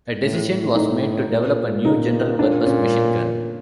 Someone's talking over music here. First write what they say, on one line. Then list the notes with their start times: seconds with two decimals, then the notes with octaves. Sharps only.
A decision was made to develop a new general-purpose machine gun.
0.22 A2
0.75 D#4
1.30 A#2
1.85 D#4
2.39 A#2 D4
2.67 C#4